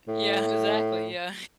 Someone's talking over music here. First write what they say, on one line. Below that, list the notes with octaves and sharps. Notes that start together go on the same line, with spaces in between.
Yeah, exactly, yeah.
A2